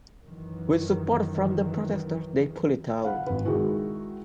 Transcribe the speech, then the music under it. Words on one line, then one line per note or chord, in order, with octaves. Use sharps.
With support from the protesters, they pulled it down.
F#2 D#3 E3
F5 F#5 B5
G#1 B4
D#3 G#3 E4 F#4